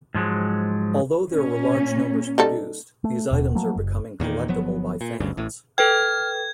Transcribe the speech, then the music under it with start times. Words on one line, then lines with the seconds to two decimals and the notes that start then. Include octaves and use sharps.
Although there were large numbers produced, these items are becoming collectable by fans.
0.14 G#2 F3 F#3 G#3
1.31 A#2 C#4
2.38 G3 D#4 A4
3.04 A3
3.31 D#1 B2
3.55 F3 F#3 A3 A#3
3.76 F#1
4.20 E2 A#2 D3 D#3
4.48 G1 F3 F#3 B3
5.01 A#2
5.20 G1 D2 G2 C#3
5.37 A1 A2
5.78 A4 B4 G5 F6 G#6